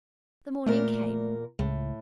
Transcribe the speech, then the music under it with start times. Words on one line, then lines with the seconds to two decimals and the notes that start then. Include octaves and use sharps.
The morning came.
0.66 E2 A#2 A3 A#4
1.59 C#2 A2